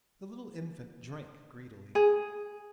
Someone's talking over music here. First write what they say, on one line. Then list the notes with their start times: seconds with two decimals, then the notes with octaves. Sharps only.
The little infant drank greedily.
1.95 G#4